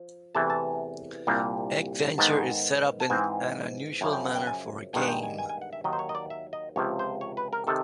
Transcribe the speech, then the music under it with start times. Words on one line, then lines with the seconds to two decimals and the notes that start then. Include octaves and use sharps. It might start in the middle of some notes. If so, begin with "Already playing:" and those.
Egg Venture is set up in an unusual manner for a game.
Already playing: F3
0.35 E2 C3 E3 A3 A5
0.50 A5
1.27 C2 A#2 G3 A#3 D4
2.18 G#2 D#3 G#3 B3 A5
3.00 A5
3.10 G#2 E3 G#3 C4 G#5
4.01 F#2 C#3 F3 G#5
4.13 G5
4.24 F#5
4.35 G5
4.47 G#5
4.93 G2 D#3 G#3 B3 D4 G#5
5.02 F#5
5.08 G5
5.23 G#5
5.38 G#5
5.49 G#5
5.62 F#5
5.73 E5
5.84 D#2 D#3 F#3 D#5
5.93 C5
5.99 C#5
6.09 D#5
6.15 D5
6.30 E5
6.53 D#5
6.76 C#2 C3 F3 C#5
6.99 C5
7.21 C#5
7.37 B4
7.53 A#4
7.67 C3 D#3 A4